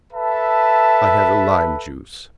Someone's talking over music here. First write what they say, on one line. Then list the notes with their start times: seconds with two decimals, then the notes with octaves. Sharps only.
I had a lime juice.
0.13 A4 B4 E5 A5